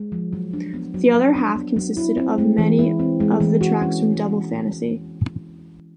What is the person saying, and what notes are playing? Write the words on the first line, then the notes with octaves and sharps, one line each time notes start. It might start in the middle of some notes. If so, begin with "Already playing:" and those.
The other half consisted of many of the tracks from "Double Fantasy".
Already playing: G#3
F3
F#3
D4
B3
F#3
F#3
D4
B3
F#3
E4
C4
G#3
E3
E4
C4
G#3
E3
F#4
C#4